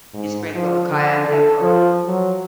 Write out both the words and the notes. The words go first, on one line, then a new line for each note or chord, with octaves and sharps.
You sprinkle the cayenne pepper
G#2
F3
D3
A4
F3
F#3